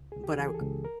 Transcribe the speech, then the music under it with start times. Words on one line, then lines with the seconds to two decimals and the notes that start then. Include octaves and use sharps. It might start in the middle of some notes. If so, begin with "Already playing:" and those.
but, I
Already playing: C#2
0.12 C#2 G#4
0.24 G4
0.39 E3
0.48 G#4
0.55 A4
0.61 C#2
0.85 A#4